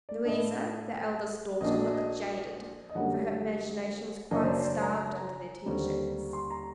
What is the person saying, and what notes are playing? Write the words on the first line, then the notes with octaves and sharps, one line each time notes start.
Louisa, the eldest daughter, looked jaded, for her imagination was quite starved under their teachings.
D5
A2 A3 D4 D#5
A#1 A#2 F#3 A#3 D4 D#5
D#5
D#5
F#2 D3 G3 A#3 D4 F#5
F#1 F#2 F#3 A#3 D4 D#5
C5
D5
C5
D5
A#5
D#2 D3 G3 C4
C6
A#5